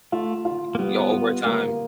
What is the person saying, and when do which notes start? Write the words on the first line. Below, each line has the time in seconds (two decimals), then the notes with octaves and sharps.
Right, yeah, over time.
0.12 A3 F4
0.45 F4
0.75 A#3
0.78 G3 B3
1.12 F4
1.46 A#3